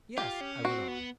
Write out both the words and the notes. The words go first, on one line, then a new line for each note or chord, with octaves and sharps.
"Yes," I went on.
F4 G4
C#4
C4 F#4
B3